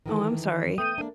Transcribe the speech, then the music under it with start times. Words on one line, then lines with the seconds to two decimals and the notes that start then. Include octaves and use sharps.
Oh, I'm sorry.
0.06 D#3 E3 A4
0.78 A3 B3 G5 D#6
0.98 A#3 D4